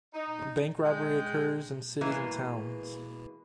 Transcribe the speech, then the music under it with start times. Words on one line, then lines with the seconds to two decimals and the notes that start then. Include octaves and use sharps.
Bank robbery occurs in cities and towns.
0.14 D#4
0.83 G#3 G5
2.01 B2 E3 G#3 A#3